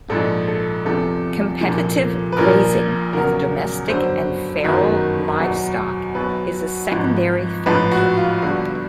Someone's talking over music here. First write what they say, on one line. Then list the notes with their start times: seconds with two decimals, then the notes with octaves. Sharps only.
Competitive grazing with domestic and feral livestock is a secondary factor.
0.10 A#1 G#2 F3 A4
0.48 A4
0.85 E2 C3 F3 A4
1.61 C2 A#2 F3
2.32 B4
2.37 A#1 A#2 F3 A#4
3.13 E2 C#3 F#3 A#4
3.88 G1 F#2 D3 F#3 C5
4.64 G1 F#2 D#3 F#3
5.39 E2 B2 F#3
6.15 B1 B2 F#3 B4
6.91 G#1 G#2 F3
7.66 A1 G#2 F3 B4
7.91 F#4
8.17 F4
8.42 G1 G2 D3 F#4